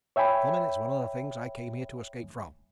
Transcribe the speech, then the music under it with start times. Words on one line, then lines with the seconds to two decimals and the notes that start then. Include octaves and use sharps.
"Plumbin' is one of the things I came here to escape from."
0.16 C#5 E5 G5 G#5 B5